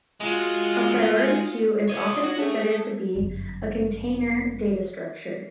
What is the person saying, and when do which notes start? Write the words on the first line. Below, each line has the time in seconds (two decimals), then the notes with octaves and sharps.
A priority queue is often considered to be a "container data structure".
0.21 G#3 F4 F#4
1.88 C#5 D#5
2.05 D#6
2.23 F#4 C#5 F#5
2.38 A3 G#4
3.15 G1 F#2